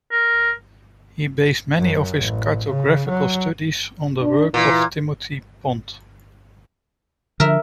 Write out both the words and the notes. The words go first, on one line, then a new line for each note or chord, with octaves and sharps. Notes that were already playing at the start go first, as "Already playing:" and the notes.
He based many of his cartographical studies on the work of Timothy Pont.
A#4
F#2
A1
C#3
F#3
D4
A#2 E3
D3 F3 A#4 E5